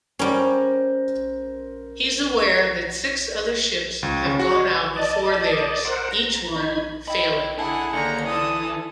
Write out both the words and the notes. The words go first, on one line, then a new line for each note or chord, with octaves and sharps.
He's aware that six other ships have gone out before theirs, each one failing.
G3 C#4 A#4 C5
C#2
C#3
F#4
D5 D#5 A5
A#4 C5 F#5
A#5
D#4 B5 G#6
D#5 E5 G5 B5
D4 E4 G#4 A4 F#5 G#5
D#2 D3 A#5 C#7
E3 A4 D#6